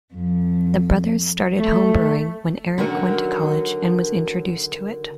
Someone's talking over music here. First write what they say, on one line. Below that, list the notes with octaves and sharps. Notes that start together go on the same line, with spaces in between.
The brothers started homebrewing when Eric went to college and was introduced to it.
F2
A3
D3 D#3 F#3 C#4 F#4 A#4